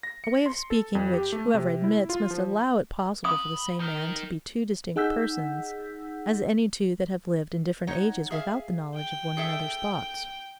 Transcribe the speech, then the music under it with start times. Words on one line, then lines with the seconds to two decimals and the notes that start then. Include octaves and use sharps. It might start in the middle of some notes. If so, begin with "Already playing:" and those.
A way of speaking which, whoever admits, must allow it possible for the same man to be two distinct persons, as any two that have lived in different ages without the knowledge of one another's thoughts.
0.03 A#6
0.24 C#7
0.46 C6
0.70 A4
0.95 F2
1.13 G4
1.32 A3
1.54 C3
1.84 E4
2.09 F4
2.31 F3
3.25 F#5 B5 D#6
3.80 D#4 A#4
4.96 D#4 G#4 F#5 E6 G6 B6
7.87 D#4 C#5 F#5
8.31 G#4 E5 F5
8.96 G5
9.37 G#4 A4 E5